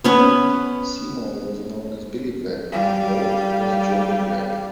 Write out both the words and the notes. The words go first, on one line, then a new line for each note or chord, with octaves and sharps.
Seymour was known as Billy Black, and Walt was Georgie Black.
B3 C#4 B4
G3 F5